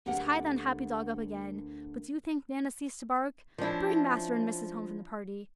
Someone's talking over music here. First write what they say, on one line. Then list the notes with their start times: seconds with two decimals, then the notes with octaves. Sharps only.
She tied the unhappy dog up again, but do you think Nana ceased to bark? Bring master and missus home from the party!
0.06 D2 D3 G4 A#4 F#5
3.58 F3 C#4 D4 E4